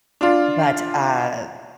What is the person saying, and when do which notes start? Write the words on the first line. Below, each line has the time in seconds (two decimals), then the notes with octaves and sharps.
but, uh,
0.21 D4 F4